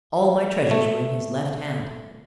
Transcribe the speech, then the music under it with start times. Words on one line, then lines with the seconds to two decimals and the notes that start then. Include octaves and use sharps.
All my treasures were in his left hand.
0.71 A3